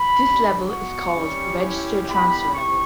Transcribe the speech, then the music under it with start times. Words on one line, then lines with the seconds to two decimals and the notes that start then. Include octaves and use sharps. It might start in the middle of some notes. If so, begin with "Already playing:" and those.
This level is called "register-transfer level".
Already playing: B5
0.21 G3 D4 G4
0.68 B3 F#4 C#6
1.15 G3 C#4 G4
1.61 C#4 E4 G4
2.08 G3 B3 E4 G4 B5
2.54 E4 G4 C#6